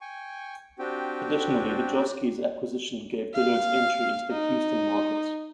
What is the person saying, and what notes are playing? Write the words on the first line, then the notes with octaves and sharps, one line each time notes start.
Additionally the Joske's acquisition gave Dillard's entry into the Houston market.
G5 G#5 C#6
C4 D4 F#4 G4 G5
F5
D#4